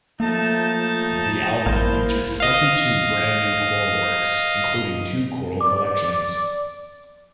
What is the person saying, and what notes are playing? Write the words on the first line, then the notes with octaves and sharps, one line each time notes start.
The album features twenty-two brand new choral works including two choral collections.
F3 A3 A#3 D#4 A5
A1 A#3 E4 C5
D#5 F5
D5 D6